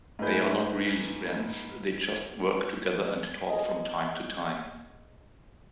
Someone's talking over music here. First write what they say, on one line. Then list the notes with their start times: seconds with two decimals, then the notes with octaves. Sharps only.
They are not really friends, they just work together and talk from time to time.
0.19 G#2 A3 F4 G#4 B4 G6
3.49 G#4 D#5